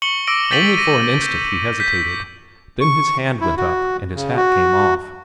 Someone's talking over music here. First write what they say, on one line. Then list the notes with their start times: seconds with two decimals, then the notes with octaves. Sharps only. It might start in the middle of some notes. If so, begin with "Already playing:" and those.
Only for an instant he hesitated, then his hand went up and his hat came off.
0.02 C#6 C#7 F#7 G7
0.27 D6 E6 A#6 D7
0.51 G6 A6 B6 D#7 F7 F#7
0.77 A#6 D#7
1.22 G6
1.80 G6 B6
2.81 C#6
3.41 E4
3.57 F#4
4.14 C#3
4.36 F#4